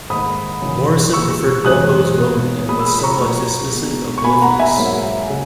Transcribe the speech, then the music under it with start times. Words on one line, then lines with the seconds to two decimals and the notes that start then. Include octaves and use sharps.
Morison preferred Bembo's roman and was somewhat dismissive of Poliphilus.
0.10 G#2 D#3 A#3 B5 D#6
0.61 F#2 C#3 E3 A#3
1.13 A#2 G#3 C#6 E6
1.65 F#2 E3 G#3 D#6 F#6
2.18 B2 A#3
2.68 A#2 G#3 B5 D#6
2.79 E6
2.86 B5 D#6
2.99 B5
3.04 A#5 C#6
3.20 A#2 F#3 A#3 A#5 C#6
3.73 B2 G#3
4.18 C#6
4.24 B2 A#3 G#5 B5
4.41 F#5 A#5
4.59 E5 G#5
4.77 G#2 F#3 A#3
5.29 C#3 G#3